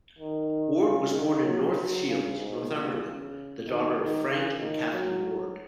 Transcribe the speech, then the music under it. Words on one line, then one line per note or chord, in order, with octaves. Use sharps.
Ward was born in North Shields, Northumberland, the daughter of Frank and Cathy Ward.
D#3
C#3
D#3
F#3
F#3
C#3
G#2
A#2
C#3
D#3
D#3
C#3
D#3
F#3